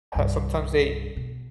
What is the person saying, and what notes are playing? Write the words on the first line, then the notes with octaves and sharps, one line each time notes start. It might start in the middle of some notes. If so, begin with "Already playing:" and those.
sometimes they
C2 G2
B2